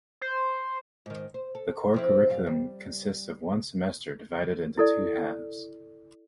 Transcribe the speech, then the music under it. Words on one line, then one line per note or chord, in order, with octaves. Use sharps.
The core curriculum consists of one semester, divided into two halves.
C5
G#2 D#3
C5
A4
F3 C4 E4
F#2 G3 F5
G3
E4 A4 D5